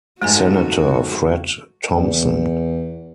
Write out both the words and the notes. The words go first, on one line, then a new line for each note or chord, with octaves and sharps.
Senator Fred Thompson.
F2 G#2 G#3 A3 F#4 G#5
E2